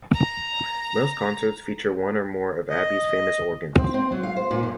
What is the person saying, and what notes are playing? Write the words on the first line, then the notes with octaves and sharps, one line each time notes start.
Most concerts feature one or more of the Abbey's famous organs.
A#5
D#5
C4
C4
F#3
F5
C5
A#2
F#2